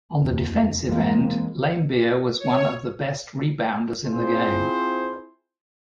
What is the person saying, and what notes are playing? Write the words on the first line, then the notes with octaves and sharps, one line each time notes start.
On the defensive end, Laimbeer was one of the best rebounders in the game.
F1 D#2
E3 G#3 A#3 C4
C#5
C4 E4 F4 G#4 C5